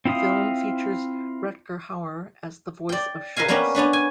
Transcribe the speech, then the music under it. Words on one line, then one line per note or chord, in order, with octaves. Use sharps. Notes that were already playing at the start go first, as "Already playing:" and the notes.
The film features Rutger Hauer as the voice of Schultz.
C4 E4 F4 F5 D#6
D5 G5
A#4 B4 D#5 F5 G#5
G3 A#3 B3 C#4 A#4 B4
B3 C#4 D4 B4
G#5